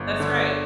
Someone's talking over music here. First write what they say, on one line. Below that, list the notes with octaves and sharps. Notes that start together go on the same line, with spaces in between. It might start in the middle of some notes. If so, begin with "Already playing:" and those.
That's right.
Already playing: G1
D3